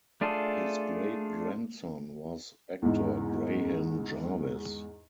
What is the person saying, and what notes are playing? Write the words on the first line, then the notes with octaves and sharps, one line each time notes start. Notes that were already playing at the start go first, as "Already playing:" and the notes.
His great-grandson was actor Graham Jarvis.
A3 D4 F4 G#4 A4
E2 G#2